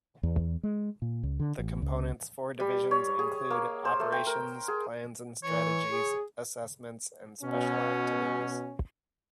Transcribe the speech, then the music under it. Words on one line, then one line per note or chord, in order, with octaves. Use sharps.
The Component's four Divisions include: Operations, Plans and Strategy, Assessments, and Special Activities.
E2
G#3
A#2
C#2
D3
A1
C#2
G3
C#5
G#4
A#3
C5
A3
G5
A#4
G#4
E3 C#5
G#4
B2 C#4